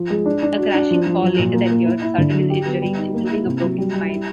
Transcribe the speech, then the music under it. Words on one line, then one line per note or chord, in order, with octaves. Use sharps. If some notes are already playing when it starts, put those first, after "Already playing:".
A crashing fall later that year resulted in injuries including a broken spine.
Already playing: F3
G#3
D4
D4
F#4
D4
F3
F3
F#3
A#2
A#3
A#3
E4
E4
D3
F#3
G4
B3
G3
D#4
A#3
E4
C3
F#3
G3
G3
E4